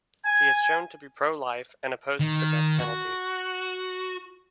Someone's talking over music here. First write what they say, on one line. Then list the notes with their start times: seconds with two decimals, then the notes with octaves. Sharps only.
He is shown to be pro-life and opposed to the death penalty.
0.24 G#5 G#6
2.20 D#3
2.79 F#4